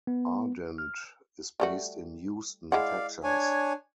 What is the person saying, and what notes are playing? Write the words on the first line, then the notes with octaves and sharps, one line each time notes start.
Ardent is based in Houston, Texas.
B3
F6
G3 A3 F#4
G#3 E4 D5 F5 F#5
D4 C#5 G#5